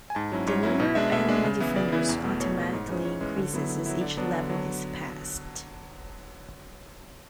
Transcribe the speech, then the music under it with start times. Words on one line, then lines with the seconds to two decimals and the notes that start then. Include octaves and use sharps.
The number of enemy defenders automatically increases as each level is passed.
0.10 G#5
0.15 G#2 A5
0.32 F#3 C#4 E4
0.47 G#2 C#5
0.63 F#3 C#4 E4
0.80 B2
0.95 G#3 D4 E5
1.12 B2 E5
1.29 G#3 D4
1.44 C#3
1.60 E3 B3 E4
1.76 C#3 D5
1.92 E3 B3 E4
2.09 E2
2.24 B2 A3
2.40 E2 C#5
2.57 B2 A3
2.73 G#2
2.88 E3 G#3 C#4
3.05 G#2 C#5
3.21 E3 G#3 C#4
3.37 D3
3.54 F#3 B3 E4
3.69 D3
3.86 F#3 B3 E4
4.01 D3 D5
4.17 F#3 B3 D4
4.33 D3
4.50 F#3